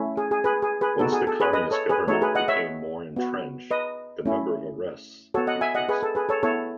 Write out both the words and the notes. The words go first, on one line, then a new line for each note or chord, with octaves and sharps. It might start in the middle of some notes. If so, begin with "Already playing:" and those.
Once the Communist government became more entrenched, the number of arrests increased.
Already playing: A3 C#4 E4
G#4
G#4
G#4 B4
G#4
G#4 B4
B3 D#4 F#4 A4
G#4
A4
G#4 B4
B4 D#5
A4 C#5
G#4 B4
A3 D#4 F#4 A4 C#5
G#4 B4
D#5 F#5
C#5 E5
B3 F#4
B4 D#5
A3 C#4 E4
B3 F#4 A4 C#5
D#5 F#5
E5 G#5
D#5 F#5
G#4 B4
A4
G#4 B4
A4 C#5
B3 E4 A4 C#5